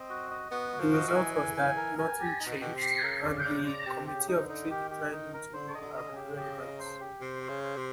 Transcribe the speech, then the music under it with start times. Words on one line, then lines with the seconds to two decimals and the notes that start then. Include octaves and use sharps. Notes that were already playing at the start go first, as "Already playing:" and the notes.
The result was that nothing changed, and the Committee of Three declined into irrelevance.
Already playing: C4 D#5
0.10 F#4
0.31 D#5
0.51 B3 F#4
0.72 F#4
0.80 F3
0.93 D#5
1.08 E3
1.15 G#5
1.36 G#5
1.57 G#5
1.77 A#4
1.98 G#5
2.19 G4
2.40 D#4
2.46 B2
2.60 B2 G4
2.75 C3
2.81 G4
3.03 C#3 A#4
3.24 D5
3.45 C#3 D5
3.65 D5
3.86 C3 G4
4.07 G4
4.14 C#3
4.28 D#4
4.42 D3
4.49 D#4
4.70 D#3 G4
4.91 G4
5.12 D#4
5.33 A#4
5.53 D3 C5
5.75 D#5
5.82 D3
5.96 D#5
6.10 C#3
6.16 G4
6.37 G4
6.59 D#5
6.79 C5
7.00 G4
7.21 C3 C5
7.43 C5
7.49 C#3
7.64 C5
7.77 C3